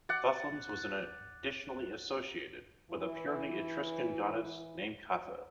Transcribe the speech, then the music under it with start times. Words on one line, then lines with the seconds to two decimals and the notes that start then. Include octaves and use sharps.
Fufluns was additionally associated with a purely Etruscan goddess named Catha.
0.09 D5 F#5
2.91 E3 E4